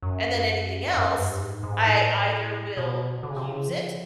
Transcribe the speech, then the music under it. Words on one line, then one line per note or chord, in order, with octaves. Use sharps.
and then anything else, I either will use it,
F#2
F#2
G2
G#2
G#2
A2
B2
D3
C#3
C3
C#3
F3